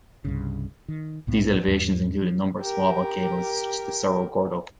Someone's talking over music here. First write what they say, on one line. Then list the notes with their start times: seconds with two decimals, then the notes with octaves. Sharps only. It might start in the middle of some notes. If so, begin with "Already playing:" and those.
These elevations include a number of small volcanoes such as the "Cerro Gordo".
0.25 C2 G2 C#3
0.88 D#3
1.27 B1 A2 B3
1.68 E2 G#2 G3
2.22 F3
2.62 G4 A#4